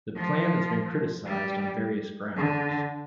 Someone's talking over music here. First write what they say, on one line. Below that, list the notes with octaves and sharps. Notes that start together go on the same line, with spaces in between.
The Plan has been criticised on various grounds.
F3
G3
D3